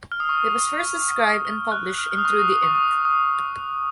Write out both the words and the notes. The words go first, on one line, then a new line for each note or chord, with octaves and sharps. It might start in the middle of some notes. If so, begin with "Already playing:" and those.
It was first described and published in Trudy Imp.
F6
D#6
C#6
D#6
F6
F#6
F#6
F6
F6
D#6
C#6
D#6
D#6
C#6
D#6
D#6